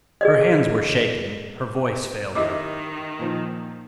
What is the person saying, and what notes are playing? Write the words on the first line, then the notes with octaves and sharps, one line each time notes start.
Her hands were shaking, her voice failed her.
G#4 D5 D#5
D#3 E4 G4 D#5 D6
A#2 F3 D#4